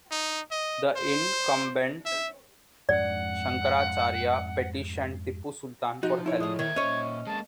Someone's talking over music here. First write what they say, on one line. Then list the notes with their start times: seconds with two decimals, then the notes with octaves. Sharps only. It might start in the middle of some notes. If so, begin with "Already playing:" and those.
The incumbent "Shankaracharya" petitioned Tipu Sultan for help.
0.11 D#4
0.51 D#5
0.96 C5
2.05 E5
2.89 F2 G#2 D4 D5 F#5
6.03 F3 D#4 F#4
6.26 E4 C#5 D5
6.40 A2 G#3 D#6
6.59 A#2 D#3 E5 G#6
6.76 C#4 C#5 D#5
7.27 G#3 A#3 A5